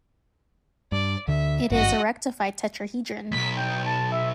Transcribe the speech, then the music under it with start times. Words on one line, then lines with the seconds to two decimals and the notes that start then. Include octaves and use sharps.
It is a rectified tetrahedron.
0.92 G2 D5
1.28 D2 D3 E5
1.70 G#1 G2 F#4 D#5
3.31 B1 F2 B6
3.57 G5
3.86 A5
4.12 E5